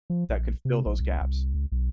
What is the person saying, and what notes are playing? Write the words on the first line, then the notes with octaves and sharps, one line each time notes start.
that could fill those gaps.
F3
A#1
C3
A#1
C2
C2
C#2
B1